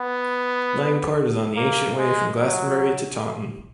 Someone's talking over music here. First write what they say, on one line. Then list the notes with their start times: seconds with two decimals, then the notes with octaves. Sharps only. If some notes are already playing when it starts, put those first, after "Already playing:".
Langport is on the ancient way from Glastonbury to Taunton.
Already playing: B3
1.56 A#3
1.98 G#3
2.40 F#3